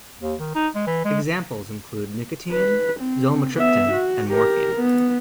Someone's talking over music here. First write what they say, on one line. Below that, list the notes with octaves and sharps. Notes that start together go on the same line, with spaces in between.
Examples include nicotine, Zolmitriptan, and morphine.
D#2
D#3
D#4
G#3
E3
G#3
B4
C4
B3 E5
F#4
G4 A#4
B3